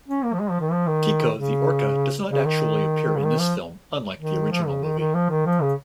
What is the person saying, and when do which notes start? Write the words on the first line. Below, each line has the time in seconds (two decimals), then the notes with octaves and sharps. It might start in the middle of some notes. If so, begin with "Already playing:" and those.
Keiko the Orca does not actually appear in this film unlike the original movie.
0.08 C#4
0.24 A#3
0.33 F3
0.40 G#3
0.50 F3
0.61 D#3
0.71 F3
0.87 D#3
1.35 C#3
2.30 C#3
2.45 D#3
3.16 C#3
3.24 D#3
3.40 F3
4.19 D#3
4.51 F3
4.67 C#3
4.83 D#3
4.98 D#3
5.15 F3
5.30 D#3
5.46 F3
5.62 C#3